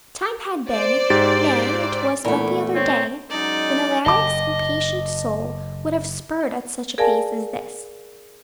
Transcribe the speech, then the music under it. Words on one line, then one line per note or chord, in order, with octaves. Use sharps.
Time had been--nay, it was but the other day--when Alaric's impatient soul would have spurned at such a pace as this.
C5 D5
G#2 G4 A6
E2 A#2 A3 E4 A#4 F#5
C4 C#5
F#3 G#3 C#4 D#4 D5
F#1 D#5 A5 D6
G#4 A#4 D5 F5 G#5 A5